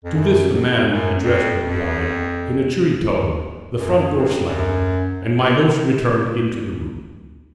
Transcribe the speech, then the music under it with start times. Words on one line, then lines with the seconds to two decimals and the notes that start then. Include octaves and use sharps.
To this the man addressed replied in a cheery tone, the front door slammed, and my host returned into the room.
0.04 F2
0.15 F#2
0.51 F2
0.87 F#2
1.23 F2
1.60 F2
3.76 F#2
4.12 F2
4.48 F#2